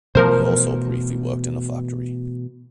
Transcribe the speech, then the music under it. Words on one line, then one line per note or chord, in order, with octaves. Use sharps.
He also briefly worked in a factory.
B2 E3 F3 A3 A#4 C5